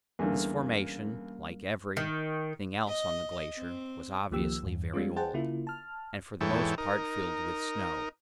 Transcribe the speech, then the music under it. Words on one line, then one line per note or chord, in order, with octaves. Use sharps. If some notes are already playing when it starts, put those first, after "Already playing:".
This formation -- like every -- thing else on the glacier-was obviously very old, and for the most part filled with snow.
E2 D3 G3 A#3 C#4 A#4
D#3
D#5
C4
C#2 D#3 F3 A#3 G4 E6
E2 G2
G3 G#3 B3 C#4 F4
G#4 C5 F#5 G5 A5
C#3 A#3 E4 F4
A5 F6
E2 G#2 E3 A4 C#5 G5
D#4 A#4